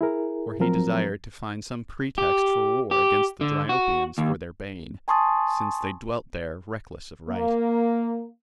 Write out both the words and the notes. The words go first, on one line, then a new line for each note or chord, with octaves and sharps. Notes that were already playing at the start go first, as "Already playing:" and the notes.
For he desired to find some pretext for war against the Dryopians for their bane, since they dwelt there reckless of right.
E4 G#4 A#4
F3 F#3 C4 A#4 A#5
G4
G4
D3
F#4
D#2
G#5 A5 C6 C#6 D#6 A6
A#3